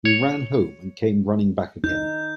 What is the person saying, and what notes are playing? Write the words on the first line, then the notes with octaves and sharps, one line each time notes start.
He ran home and came running back again.
C#5
D#4 G6